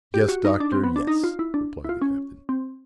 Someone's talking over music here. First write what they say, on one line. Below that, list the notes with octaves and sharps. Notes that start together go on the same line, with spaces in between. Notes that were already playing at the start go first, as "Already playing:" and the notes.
"Yes, Doctor, yes," replied the captain.
G4
F#4
D#4
D4
C4
B3
D4
D#4
F4
E4
D4
E4
F4
C#4
C4